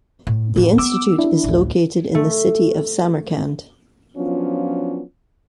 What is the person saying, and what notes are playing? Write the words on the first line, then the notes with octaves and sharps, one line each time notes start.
The Institute is located in the city of Samarkand.
A2
F2 A2
B3 D6 E6
D4 E4
A1 D2
A3
F3 F#3 B3 C#4 D4 F4